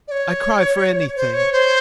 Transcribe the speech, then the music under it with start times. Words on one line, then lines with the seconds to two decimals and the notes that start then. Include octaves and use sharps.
I cry for anything.
0.08 D5
0.11 C#5
1.16 C5
1.34 C#5
1.53 C5